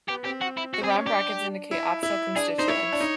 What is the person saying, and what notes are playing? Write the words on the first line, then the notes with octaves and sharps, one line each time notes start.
The round brackets indicate optional constituents.
B3 G4
C4 G4
F#4
E4
F#4
C4 G#4
G4
C#4
D4 G4
E4
E4
D4 G#4
D#4 C5
E4 C#5
D4
D#4